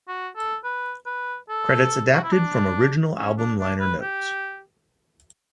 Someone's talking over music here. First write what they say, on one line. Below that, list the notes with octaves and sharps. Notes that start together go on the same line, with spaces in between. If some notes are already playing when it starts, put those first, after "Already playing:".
Credits adapted from original album liner notes.
F#4
A4
B4
B4
A4
F#4
E4
D4
C#4
D4
D4
B4
G4